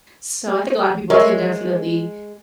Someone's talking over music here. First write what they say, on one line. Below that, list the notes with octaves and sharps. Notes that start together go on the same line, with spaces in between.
So I think a lotta people can definitely
G#3 A#4 C#5 E5